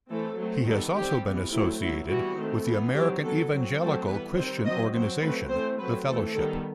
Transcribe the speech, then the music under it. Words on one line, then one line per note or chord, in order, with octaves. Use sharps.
He has also been associated with the American evangelical Christian organisation, The Fellowship.
E3 A3 C4 A4
F#3 A3 C4
D#3 G3 B3 A4
D#3 G3 C4 G4
E3 B3
F#3 A3 C4 E4
F#3 B3 E4
E3 G3 B3 F#4
D#3 A3 C4
E3 B3
D#3 F#3 C4 G4
F#3 B3 A4
F#3 C4
F#3 A3 C4 A4
E3 G3 B3 B4
D#3 G3 C4 C5
F#3 C4 D#5
F#3 C4 C5
F#3 A3 C4 B4
E3 A3 C4 C5
F#3 A3 C4 B4
E3 A3 C4 A4
D#3 G3 B3 A4